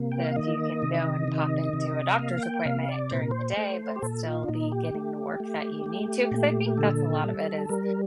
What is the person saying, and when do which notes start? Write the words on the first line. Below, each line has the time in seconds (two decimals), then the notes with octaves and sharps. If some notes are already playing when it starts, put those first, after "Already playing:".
So, if you can go and pop into a doctor's appointment during the day but still be getting the work that you need to 'cause I think that's a lot of it is
Already playing: C3 A#3
0.11 G5
0.24 F5
0.36 D#3 D#5
0.82 C3
1.28 D#3
1.73 C3
2.19 A#3 F5
2.43 G5
2.65 C3 F5
2.89 D5
3.11 A#2 C5
3.21 A#4
3.31 C5
3.57 A3
3.96 G4
4.02 A#2 A4
4.26 F4
4.43 D4
4.48 A#2 D#4
4.72 G4
4.95 A3
5.40 A3
5.86 A3
6.31 A#2
6.77 D3 A4
7.23 G3
7.69 G3 A#4